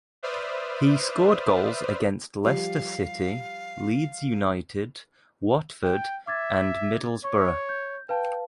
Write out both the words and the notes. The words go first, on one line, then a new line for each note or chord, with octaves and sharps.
He scored goals against Leicester City, Leeds United, Watford and Middlesbrough.
B4 C5 D5 E5 D#6 F6
F3 G3 G4 F5
G5
E5 D6 G#6 A6
C#5 C#6
G6
B4 F5 G5 A5